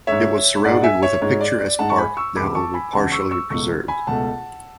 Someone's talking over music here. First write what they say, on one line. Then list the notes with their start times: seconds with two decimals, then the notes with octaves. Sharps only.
It was surrounded with a picturesque park, now only partially preserved.
0.07 G#2 G#3 C#5 E5
0.64 G#2 G#3 D5 F#5
0.83 E5 G#5
1.03 C#5 E5
1.22 G#2 G#3 C#5
1.41 D5
1.60 D5
1.79 G#2 G#3 F#5 A5
1.90 C#6
1.98 G#5 B5
2.17 C#6 E6
2.36 E2 C#3 G#3 B5 D6
2.55 A5 C#6
2.74 G#5 B5
2.93 E2 C#3 G#3 F#5 A5
3.12 C#6 E6
3.31 C#6 E6
3.50 C#2 B2 A3 C#6 E6
3.88 G#5 B5
4.07 C#2 B2 A3 F#5 A5